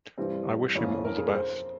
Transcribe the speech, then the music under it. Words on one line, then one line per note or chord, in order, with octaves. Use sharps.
I wish him all the best.
G2 E3 G3 C4
F2 E3 A#3 C#4 C#5
A#4
G#4
A#4
C5